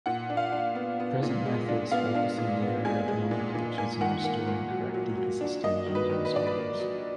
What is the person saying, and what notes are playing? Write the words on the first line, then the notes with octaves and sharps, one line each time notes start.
Present methods focus on the area of monocultures and restoring correct ecosystems using soils.
A#2 F#5
D4
F5
D4
B3
B3
A#2
G#3
D4
B3 F5
D4
A#2
B3
G#3 G#5
G#3
A#2
A#2
A#3 G#5
D#3 F#5
A#3 F#5
A#3
F#3
F#3
F#3
D4
A#3 D#5
D#3
B4
D#3
B4
D4 D5
B4
A#3
F#3